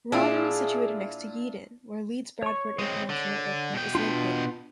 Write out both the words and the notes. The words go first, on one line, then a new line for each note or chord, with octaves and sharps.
Rawdon is situated next to Yeadon, where Leeds Bradford International Airport is located.
A#2 D4 E4 F4 G#4
C#5 C#6
G#3 C4
D3
B2 G5
B3 D4 F4